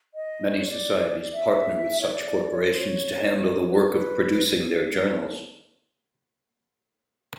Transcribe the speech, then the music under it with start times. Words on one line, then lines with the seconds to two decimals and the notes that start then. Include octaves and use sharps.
Many societies partner with such corporations to handle the work of producing their journals.
0.15 D#5
0.54 D5
0.61 C#5
0.68 D5
1.33 E5
2.01 C#5
2.12 D5
2.51 C#5
2.64 C5
2.77 C#5
3.69 B4
3.80 A#4
3.90 B4